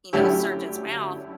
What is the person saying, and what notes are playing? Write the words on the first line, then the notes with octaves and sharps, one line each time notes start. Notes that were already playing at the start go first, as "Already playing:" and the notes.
you know, surgeon's mouth
D3 F#3 A3 C#4 E4 G4